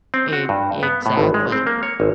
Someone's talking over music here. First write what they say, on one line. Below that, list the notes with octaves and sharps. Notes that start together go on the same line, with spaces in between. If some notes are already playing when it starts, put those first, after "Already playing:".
e exactly.
C4
F#4
G2
B3
A2
G#1
G#3
C4
A#3
C#5
G#1